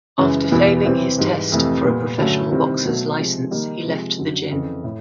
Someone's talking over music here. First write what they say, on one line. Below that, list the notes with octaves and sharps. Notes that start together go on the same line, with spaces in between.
After failing his test for a professional boxers' license, he left the gym.
F#2 C#3 E3 G#3
E2 B2 G3 B3 E4
C3 E3 G3 C4
G#2 E3 G3
F2 C3 E3 A3
A#2 G3 B3
G2 D3 F#3 A3 C#4
C3 D#3 G3 C4 E4
B2 F#3 A3
C3 F3 G#3
D#3 G3 A#3 D#4
C3 F3 G#3
F#2 D3 F#3
F2 C#3 E3
A2